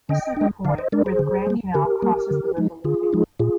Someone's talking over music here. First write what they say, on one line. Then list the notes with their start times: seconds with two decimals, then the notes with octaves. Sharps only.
This is the point where the Grand Canal crosses the River Liffey.
0.09 D3 D#5 G5
0.37 G#3 D4
0.65 D3 D5 F5
0.78 C5 D#5
0.92 G#3 D4 A#4 D5
1.06 G#4 C5
1.19 D3
1.47 G3 A#3
1.74 D3 G4 A#4
2.02 G3 A#3
2.31 D3
2.57 F3 G#3 D#4
2.84 D3 F4 G#4
3.13 F3 G#3 D#4
3.40 A#2 F4 G#4